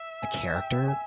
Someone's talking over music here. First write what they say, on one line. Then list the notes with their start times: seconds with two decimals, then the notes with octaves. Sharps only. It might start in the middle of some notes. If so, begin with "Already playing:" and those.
the character
Already playing: E5
0.22 G#5
0.56 G5
0.88 G#5